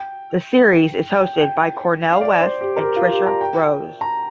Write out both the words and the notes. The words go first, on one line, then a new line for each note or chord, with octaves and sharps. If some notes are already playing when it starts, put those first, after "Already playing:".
The series is hosted by Cornel West and Tricia Rose.
Already playing: G5
G5
G5
F5
D5
C5
G4
A#4
G4
F4
G4
A#5
G5
A#5